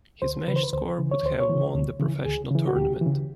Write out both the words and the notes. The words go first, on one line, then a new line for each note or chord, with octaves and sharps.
His match score would have won the professional tournament.
D2 C5
C#3 E3 B4 C5
B4
D2 C5
C#3 E3
C#5
D2 C5
C#5
C#3 E3
D2
C#3 E3
D2 G#4
C#3 E3
F#4
D2 G4
C#3 E3